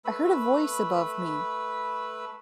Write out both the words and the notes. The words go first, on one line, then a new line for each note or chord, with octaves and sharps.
I heard a voice above me.
A3 B4 B5 E6